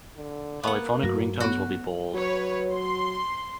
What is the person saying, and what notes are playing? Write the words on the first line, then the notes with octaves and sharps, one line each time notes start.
Polyphonic ringtones will be Bold.
D3
A#3 B3 F5 F#5
G2 F#3 A3 F#4 A#6
B3 F#4 A4 C#5
F#3 B4 C#5
C6